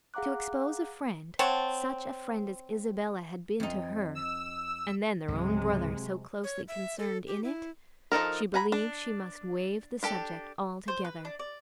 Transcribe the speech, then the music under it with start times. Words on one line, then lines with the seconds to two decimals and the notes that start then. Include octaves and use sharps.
To expose a friend, such a friend as Isabella had been to her--and then their own brother so closely concerned in it! She believed she must waive the subject altogether.
0.14 G#4 F5 F#5 A#5 D6 F#6
1.39 C4 C#5 F#5 A5
3.60 F2 D#4
4.15 E6
5.28 C#2 G#2 C3 F#3 G#3
6.44 C#5
6.68 E5
6.98 A4
7.27 G4
7.44 E4
8.12 F3 D#4 A4 A#4
8.54 F#5 G#5 A#5 B5
8.72 D4
10.03 D4 G4 A4
10.88 C5
11.05 B4
11.25 D4
11.39 D5